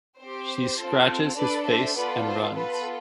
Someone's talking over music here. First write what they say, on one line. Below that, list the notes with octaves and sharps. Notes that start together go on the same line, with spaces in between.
She scratches his face and runs.
C4 G4 C5
C4 F4 A4
D4 A4 B4 D5
C5 E5
B3 F4 A4 B4 D5
C5
B3 F4 A4 B4